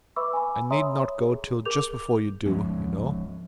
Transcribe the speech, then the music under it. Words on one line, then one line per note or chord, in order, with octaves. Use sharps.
I need not go till just before you do, you know.
B4 E5 B5 C#6 D6 E6
G#5 B5
C#5 E5 A#5 C6 D#6
G#4
G#4 A#4 D6 G6 F7
F3 F#3 G#3 C#4